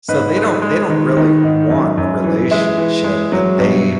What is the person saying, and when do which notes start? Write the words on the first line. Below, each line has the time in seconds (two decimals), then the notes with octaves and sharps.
So, they don't they don't really want a relationship, but they
0.08 G#2 B4
0.36 G#3
0.62 G#3
0.90 D#3
1.17 D#3
1.44 G#2
1.70 F#2
1.98 F#2
2.24 E3
2.51 G#3 E5
2.78 E3
3.04 G#3
3.32 F#3
3.59 B2